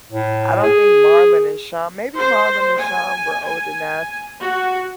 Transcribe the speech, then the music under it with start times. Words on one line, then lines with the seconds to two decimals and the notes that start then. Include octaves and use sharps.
I don't think Marlon and Shawn, maybe Marlon and Shawn were old enough,
0.11 A2
0.63 G#4
2.14 C5
2.77 G#5
3.43 G#5
4.40 F#4